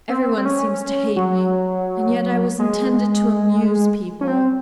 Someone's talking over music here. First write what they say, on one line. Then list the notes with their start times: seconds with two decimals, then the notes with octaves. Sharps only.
"Everyone seems to hate me, and yet I was intended to amuse people."
0.09 C4
0.37 C4
0.45 C#4
1.16 F#3
2.59 G#3
4.21 C#4
4.27 C4